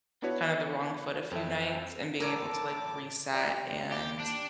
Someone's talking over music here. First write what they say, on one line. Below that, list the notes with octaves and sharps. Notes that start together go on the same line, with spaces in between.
kind of the wrong foot a few nights and being able to, like, reset and
B3 D4 E4 F#4 B4 C#5
F2 A4 E5
A2 A4 A#4 C#5 D5 A5 D6
G3
G4
D4